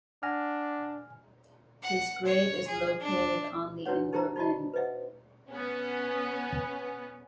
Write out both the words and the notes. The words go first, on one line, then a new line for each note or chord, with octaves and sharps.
His grave is located on the in Berlin.
D4 F#5 G#5 F6 A#6
F#5
C#5
G#4
D4
D4 E4 F#4 B4 C#5 F#5
D#4 G4 A#4 C5 E5 A#5
D#4 F4 F#4 D5 D#5 A5
B4 C5 D#5 E5 F#5
B3 C#4